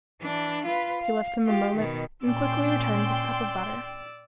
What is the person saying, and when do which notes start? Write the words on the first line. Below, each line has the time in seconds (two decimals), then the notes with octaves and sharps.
She left him a moment and quickly returned with a cup of butter.
0.22 E3 D4
0.65 F4 B4
1.02 F5
1.46 F4 G4
1.76 B2 D#3
2.25 A#2 C#4 D5 G5 C6 E6